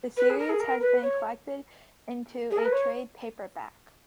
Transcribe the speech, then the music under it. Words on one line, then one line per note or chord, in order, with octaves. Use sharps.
The series has been collected into a trade paperback.
B4
G#4
A#4
G#4
A#4
B4
C#5
G#4
A#4
B4
C#5